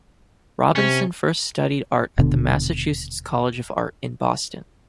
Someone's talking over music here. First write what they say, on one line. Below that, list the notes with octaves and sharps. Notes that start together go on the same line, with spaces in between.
Robinson first studied art at the Massachusetts College of Art in Boston.
C3 C#4
D#1 B2 D3